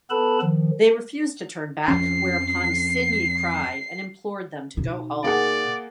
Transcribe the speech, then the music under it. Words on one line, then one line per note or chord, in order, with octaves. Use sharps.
They refused to turn back, whereupon Signy cried and implored them to go home.
B3 A4 B4 A5 B5
D#3 F3
F2 F3 C#4 C7
B2 D#4
A#3 G#4 D5 F#5